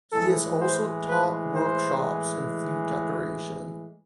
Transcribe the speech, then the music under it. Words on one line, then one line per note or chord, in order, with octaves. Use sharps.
He has also taught workshops in flute decoration.
A2 E3 G#3 A4
C5
B4
C5